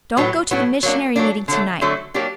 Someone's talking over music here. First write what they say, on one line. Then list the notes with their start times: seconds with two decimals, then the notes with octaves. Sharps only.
"Don't go to the missionary meeting to-night."
0.17 A2 F#3 B3
0.51 A2 F#3 B3
0.83 F#3 A#3 D4
1.16 F#3 A#3 D4
1.48 D3 F#3 A3
1.81 D3 F#3 A3
2.14 F#3 A#3 D4 G4